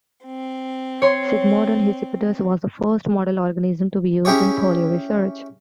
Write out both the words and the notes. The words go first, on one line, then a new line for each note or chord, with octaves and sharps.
"Sigmodon hispidus" was the first model organism to be used in polio research.
C4
C#5 C6
C#4 E4 G4 G#4 C#5